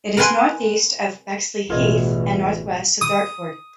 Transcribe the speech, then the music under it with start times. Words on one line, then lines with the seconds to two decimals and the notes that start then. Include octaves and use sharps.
It is northeast of Bexleyheath and northwest of Dartford.
0.17 A#4 B4 F#5 G#5 C6
1.70 A1 E2 B2 F4 G#4 D#5
3.01 D#6